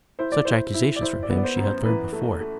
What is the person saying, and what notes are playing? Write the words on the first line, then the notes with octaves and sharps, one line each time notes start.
Such accusations from him she had heard before.
E4 C5
D5
E4 C5
E4
D5
E4 C5
D5
B3
D5
C5
F#2
C5
E3 B4
A3
A3